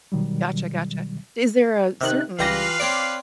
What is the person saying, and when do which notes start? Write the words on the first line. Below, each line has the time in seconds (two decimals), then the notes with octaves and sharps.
Gotcha, gotcha. Is there a certain
0.12 B2 D#3 F#3 G3
2.01 C3 D#3 F#6
2.39 C#2 E3 G3 F4 G4 B4 F5 A#6
2.80 C4 C#5 D5 D6